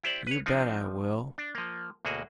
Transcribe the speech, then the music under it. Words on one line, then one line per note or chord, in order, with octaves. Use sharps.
You bet I will!
E4 G4 C5 D5
B4 C#5
F3 C4 D4 D#4
D4
F3 A#3
D2 B2 A#3 F#4 G#4